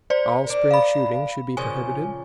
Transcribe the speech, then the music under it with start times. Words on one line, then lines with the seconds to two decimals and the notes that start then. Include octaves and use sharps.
All spring shooting should be prohibited.
0.10 C5 D5
0.47 D4 A#4
0.71 F5 B5
1.57 A#2 C#3 F3 G#5